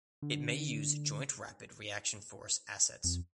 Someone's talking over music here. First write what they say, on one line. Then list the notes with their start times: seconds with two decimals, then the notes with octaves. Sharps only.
It may use Joint Rapid Reaction Force assets.
0.22 D3
3.04 F2